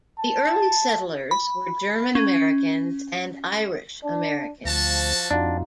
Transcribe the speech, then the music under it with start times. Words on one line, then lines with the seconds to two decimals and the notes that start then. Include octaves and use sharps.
The early settlers were German-Americans and Irish-Americans.
0.20 A5
1.31 B5
2.15 C#4
4.03 D4
4.65 D2 F3 G3 F#4 A5
5.31 F2 D4 D#4 F4 F#4